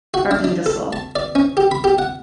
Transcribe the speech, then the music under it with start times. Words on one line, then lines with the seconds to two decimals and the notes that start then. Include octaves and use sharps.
are beautiful.
0.14 F#4
0.31 D4
0.44 D4
0.66 A4
0.93 A5
1.16 D5
1.35 C#4
1.57 G4
1.71 B5
1.84 G4
1.98 F#5